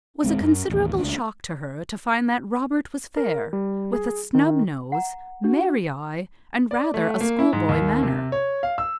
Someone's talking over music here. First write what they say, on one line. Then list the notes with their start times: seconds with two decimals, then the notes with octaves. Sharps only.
It was a considerable shock to her to find that Robert was fair, with a snub nose, merry eye, and rather a schoolboy manner.
0.24 D#1 G2 G#3 C4
0.41 F#2
0.70 A1 D#2
0.99 C#2 D4
3.17 A#4
3.53 G3
3.93 G#4
4.35 D#3
4.92 F#5 A#5
5.44 D4 F#4
6.71 D5
6.94 A3
7.21 A#3
7.39 E4
7.53 G#2
7.69 D#2
8.03 C3
8.32 C#5
8.63 F5
8.78 E6